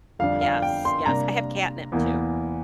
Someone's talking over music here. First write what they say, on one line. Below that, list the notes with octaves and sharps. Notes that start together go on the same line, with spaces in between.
Yes, yes. I have catnip too,
F2 D3 G3 D4 F5
F5
G5
C6
C3 G3 A#3 D4 A#5
E2 E3 A#3